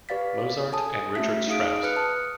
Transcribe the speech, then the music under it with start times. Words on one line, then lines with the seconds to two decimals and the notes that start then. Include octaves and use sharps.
Mozart and Richard Strauss.
0.09 G4 B4 D5 F5 A6 B6
0.72 A4 G#5 A5 D#6
1.15 A3 C#4 F#4 E5 B6
1.48 D#4 G#4 F5 D#6 D7
1.83 B4 D#6 F6 F#6 C#7
1.96 A5